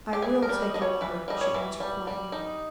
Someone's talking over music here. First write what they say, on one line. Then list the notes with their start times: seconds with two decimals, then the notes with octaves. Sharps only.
"I will take your letter," she answered, quietly.
0.13 G4
0.22 E3 G#4
0.42 A#4
0.49 G3
0.62 D#5
0.74 G3 D#5
0.82 C#5
1.01 E3 B4
1.28 G3 D#5
1.41 C#5
1.54 E3
1.80 G3
2.07 G3
2.32 D#4